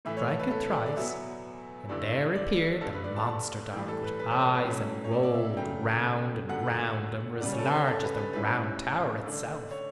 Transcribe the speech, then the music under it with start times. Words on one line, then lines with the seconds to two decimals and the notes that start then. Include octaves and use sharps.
Strike it thrice and there appeared the monster dog with eyes that rolled round and round and were as large as the Round Tower itself.
0.05 A2 E3 A3 E4 E5
0.17 C#5
0.28 A4
0.40 B4
0.51 A4
0.63 B4
0.75 D5
0.86 D5
0.97 E2 B2 F#3 B3 E5
1.89 G2 D3 A3 E4 D5
2.35 D5
2.81 G2 D3 A3 A4
2.93 B4
3.04 D5
3.16 A5
3.27 A5
3.73 A2 E3 G3 G5
3.88 A4
4.04 B4
4.19 B4
4.31 C#5
4.42 B4
4.54 B4
4.65 A2 F#3 A3 C#4
5.04 C#5
5.11 D5
5.23 D5
5.34 E5
5.57 C#3 F#3 A3 G5
6.49 F#2 D3 A3 F#5
7.40 E2 C#3 G3 D5
7.52 C#5
7.59 A4
7.65 B4
7.88 A4
8.03 B4
8.17 B4
8.33 A2 G3 C#4 E4 B4
9.25 D3 A3 D4
9.71 C#5